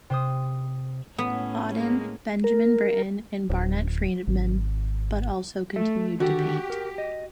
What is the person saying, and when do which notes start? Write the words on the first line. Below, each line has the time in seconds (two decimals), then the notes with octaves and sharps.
Auden, Benjamin Britten and Barnett Freedman but also continued to paint.
0.10 C3 C5 D#6
1.18 A2 B3 C#4
1.76 G#3 A#3
2.44 A#4
3.50 D1
4.27 G#1
5.76 A3 A4 E5
6.20 D3 D#3 F#4 G4 A4
6.70 A#4
6.98 D#5